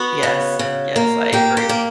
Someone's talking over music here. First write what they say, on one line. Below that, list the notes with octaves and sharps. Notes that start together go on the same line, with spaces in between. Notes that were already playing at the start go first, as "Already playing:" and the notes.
Yes, yes, I agree,
Already playing: B3 F#4
C#3
C#3
A#3
A#3 G4
G4
A#3